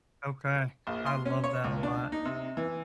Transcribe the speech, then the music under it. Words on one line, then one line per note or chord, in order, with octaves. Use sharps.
Okay. I love that a lot.
A#1
C6
C#4
C#5
C#2
D4
D#4
C3
E3